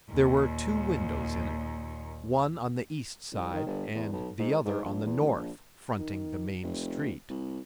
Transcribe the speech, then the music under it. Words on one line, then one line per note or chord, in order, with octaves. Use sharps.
There were two windows in it, one on the east side and the other on the north, fronting the main street.
D#2 A#2
C2
D#3
G1
E2
B1
G#2
G#2
A#1
E2
A1
A#1
D#3
F1
C2